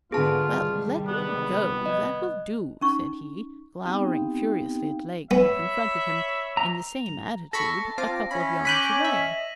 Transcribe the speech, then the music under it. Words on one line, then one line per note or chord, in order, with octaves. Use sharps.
'Well, let me go; that will do,' said he, glowering furiously at Lake, who confronted him, in the same attitude, a couple of yards away.
G#2 D3 B3 F4 G#4 A5
C3 D#3 G3
B3
D#5
C#4 D#4 C#6
B3 C4 D#4 G4 F5 G5
B3 C#5 E5 B5
A#5
A4 A5 B5 C#6 A#6
C4 F4 D6
C#4 E4 B5
B5 D6 F#6 G6 B6 D#7 F#7
D#5 E5